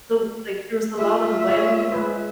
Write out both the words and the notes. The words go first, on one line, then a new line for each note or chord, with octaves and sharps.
so, like, there was a lot of wind.
F4 E5
G#3 C#5
G#3 B4 C5